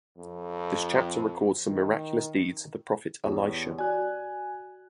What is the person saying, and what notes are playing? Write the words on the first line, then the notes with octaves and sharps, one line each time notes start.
This chapter records some miraculous deeds of the prophet Elisha.
F2
D#3
E2 G4 C#5
F#4 D5 G#5 F#6